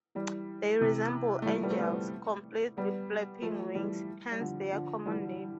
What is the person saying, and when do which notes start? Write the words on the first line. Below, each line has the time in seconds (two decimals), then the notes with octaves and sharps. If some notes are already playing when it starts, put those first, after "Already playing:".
They resemble angels, complete with flapping "wings", hence their common name.
0.15 E3 G3
0.80 C3 E3
1.42 A3
1.46 E3 G3
1.54 F3 A3
1.62 G3 B3
1.70 A3 C4
1.79 G3 B3
2.77 G3 B3
3.42 F3 A3
3.75 E3 G3
4.31 G3
4.40 D3 F3
4.73 D3 F3
5.06 E3 G3